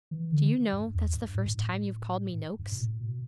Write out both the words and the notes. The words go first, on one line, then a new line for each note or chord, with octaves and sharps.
'Do you know, that's the first time you've called me "Noakes"?'
E3
D3
G2
E2
G2
A2
G2
A2
G2
B2
A2
B2